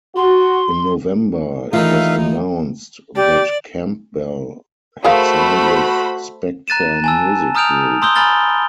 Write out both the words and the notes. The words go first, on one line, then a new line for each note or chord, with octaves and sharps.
In November, it was announced that Campbell had signed with Spectra Music Group.
F#4 C6
E2 D#3 A3 C#4 D#4 F4 E5 F5
G4 D5
A3 F#4 G#4 A#4 C5 F5 B5
A#5 F#6 A6 D#7 E7
G#5 A5 E6
A#5 D#6 F6 G6 D7 F7
A#5 C6 D#6 E6 G6 G7
G#5 A#5 B5 F6 A6 G7